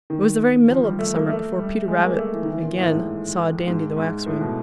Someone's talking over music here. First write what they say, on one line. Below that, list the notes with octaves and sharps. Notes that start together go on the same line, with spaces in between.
It was the very middle of the summer before Peter Rabbit again saw Dandy the Waxwing.
D#3
F3
G3
A3
A#3
A3
G3
G#3
A#3
A3
E3
D#3
E3
A#2
A2
G#2
G#2
G#2
A2
B2